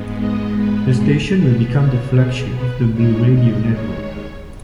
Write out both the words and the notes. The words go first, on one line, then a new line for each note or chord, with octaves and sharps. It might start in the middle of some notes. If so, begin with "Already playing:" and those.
The station will become the flagship of the Bluradio network.
Already playing: G#2 G#3 B3
D#5
B4
G#4
B2 B3 B4
C#5
G#4
B4
D#2 D#3 G#3 C#5
D#5
C#5